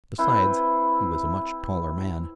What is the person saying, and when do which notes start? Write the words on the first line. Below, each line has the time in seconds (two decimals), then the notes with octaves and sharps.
Besides, he was a much taller man.
0.18 C4 E4 B4 C5